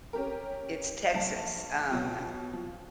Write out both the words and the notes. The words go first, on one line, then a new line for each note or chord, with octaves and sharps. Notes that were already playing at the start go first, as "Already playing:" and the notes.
It's Texas, um, I th
C#4 G4 A#4
A#1 A5
B2 F#3 B3 F4 G5
F3